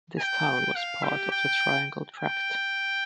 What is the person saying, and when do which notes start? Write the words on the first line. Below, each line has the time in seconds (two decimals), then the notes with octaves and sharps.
This town was part of The Triangle Tract.
0.19 G5
0.75 F5
1.03 G4
1.31 G5
2.16 G5